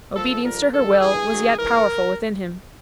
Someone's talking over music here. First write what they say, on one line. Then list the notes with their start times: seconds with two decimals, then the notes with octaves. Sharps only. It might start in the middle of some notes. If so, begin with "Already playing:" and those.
Obedience to her will was yet powerful within him.
0.16 A#2 F3 A4
0.44 G2 D3 F3 A#4
0.72 G2 D#3 F#3 A4
1.01 G2 E3 G#4
1.30 F#2 D#3 F#3
1.58 G#2 E3 A#4